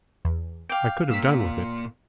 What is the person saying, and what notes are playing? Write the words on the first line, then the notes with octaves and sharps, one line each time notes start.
I could have done with it.
E2
F5 G5 D6
A#2 A#3 E6 B6